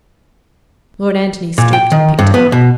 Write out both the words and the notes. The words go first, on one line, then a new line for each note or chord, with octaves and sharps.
Lord Antony stooped and picked it up.
A#2
G5
D#3
G2
B3
B2